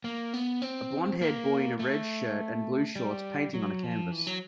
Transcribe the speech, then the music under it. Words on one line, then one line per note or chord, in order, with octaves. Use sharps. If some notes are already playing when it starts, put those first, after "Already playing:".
A blondhaired boy in a red shirt and blue shorts painting on a canvas.
A#3
B3
C4
A#3
A3
G3
F#3
F3
E3
F#3